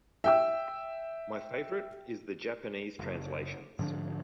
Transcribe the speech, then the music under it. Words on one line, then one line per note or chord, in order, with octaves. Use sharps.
My favorite is the Japanese translations.
E5 G5 E6
F#1
G#2 D3 F3 D4